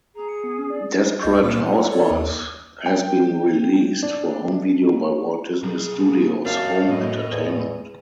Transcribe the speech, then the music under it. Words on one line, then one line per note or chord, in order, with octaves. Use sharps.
"Desperate Housewives" has been released for home video by Walt Disney Studios Home Entertainment.
G#4 A#5
C#7
B3
C#4
D5
C#2 D#5 G6
A#2 A#3
F#5
A4 C#5 D5
D#2
G5
D4
B1 G#4
F#2 C4 D#5 F5 A5
A2 E4 D#5
E2